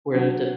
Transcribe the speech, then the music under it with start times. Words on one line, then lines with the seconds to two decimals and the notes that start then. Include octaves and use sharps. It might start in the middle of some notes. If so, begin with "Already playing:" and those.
where the
0.14 D3 F#3